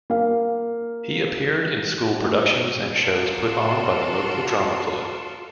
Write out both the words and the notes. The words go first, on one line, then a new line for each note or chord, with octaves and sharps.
He appeared in school productions and shows put on by the local drama club.
A#3 F5
G#2 D#3 A3 F#5 G5
D#4
C#5
F4 F#4 A4 A#4